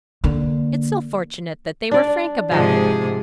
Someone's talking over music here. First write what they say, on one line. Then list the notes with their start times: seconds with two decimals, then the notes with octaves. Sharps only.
It's so fortunate they were frank about it.
0.24 D3 A#3
1.91 D4 D5
2.51 G#2 C3 F3 G#4 D#5